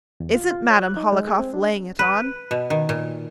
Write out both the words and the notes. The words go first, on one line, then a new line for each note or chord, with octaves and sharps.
"Isn't Madame Hohlakov laying it on?"
E2
F4
F4
C#5
F#6
D#4
G#3
G#4
C4
D4
B4
B2
D#3
A#2